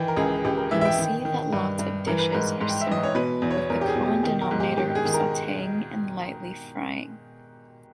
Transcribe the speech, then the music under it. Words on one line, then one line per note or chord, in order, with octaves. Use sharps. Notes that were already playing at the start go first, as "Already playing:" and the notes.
You will see that lots of dishes are similar, with the common denominator of sautéing and lightly frying.
Already playing: D#3 E3 G5
A#4
C#2 G#4
C#2 G4
A#4
E3 E5
E5
G5
D#3
D#3
G2
G2
E3 A#4
B4
G#2 A#4
G#2
G5
E5
E3 D#5
C#5
B2 B4
E2
C#5
E2 A#4
G4
G#4
B2
G4
D#3 G4
A#4
G#2
G4
D#3 G4
G#4
D#3
A#4